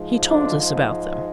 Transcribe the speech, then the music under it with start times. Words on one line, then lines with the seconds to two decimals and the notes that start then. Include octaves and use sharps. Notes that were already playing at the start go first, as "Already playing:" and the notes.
"He told us about them."
Already playing: G#2 F3 G#3
0.28 D3 D4